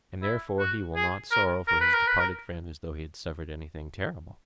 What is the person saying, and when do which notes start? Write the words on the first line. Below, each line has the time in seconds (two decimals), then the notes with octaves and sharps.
And therefore he will not sorrow for his departed friend as though he had suffered anything terrible?
0.23 E4
0.59 F#4
0.96 G#4
1.31 A#4
1.68 A#4
1.81 B4
1.93 A#4
2.07 B4
2.19 A#4